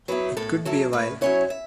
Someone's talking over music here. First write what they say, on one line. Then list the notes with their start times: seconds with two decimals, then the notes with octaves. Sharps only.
It could be a while.
0.08 F#3 B3 E4 B4
0.37 A2 A4
0.65 F#3 C#4 E4 A4
0.93 A2 B4
1.21 F#3 C#4 E4 C#5
1.50 E5